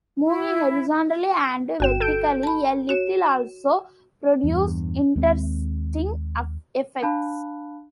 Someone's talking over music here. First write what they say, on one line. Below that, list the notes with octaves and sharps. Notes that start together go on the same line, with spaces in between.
Moving horizontally and vertically a little also produces interesting effects.
E4
G1 F#4 G5 E7
A4 G6 D7
A5 B5
F#4 C#5 E7
E2 G2
D#2 G#3 C4
D4 F5 A5 B5 F#6